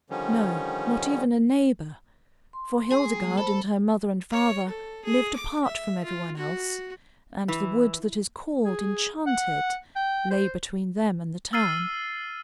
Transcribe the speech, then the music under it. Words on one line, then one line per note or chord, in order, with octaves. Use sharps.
No, not even a neighbor, for Hildegarde and her mother and father lived apart from every one else, and the wood that is called Enchanted lay between them and the town.
D3 D#3 F3 G3 C#4
C6
G#4
G3 A#3
A4 C5 B5
C#5
A4
G#4
D6
E5
F4
F#4
E3
G#4
F#5
G5
C5
E6 F6 A6 C7 D#7